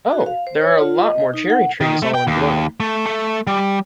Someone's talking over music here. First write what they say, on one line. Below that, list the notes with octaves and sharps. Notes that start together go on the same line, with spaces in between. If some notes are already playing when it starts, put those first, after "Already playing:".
Oh, there are a lot more cherry-trees all in bloom!
F#4
F5
C5
C#5
F4
D#5
D#4
F#5
D#3
A3
G5
D#2
A3
A3
G3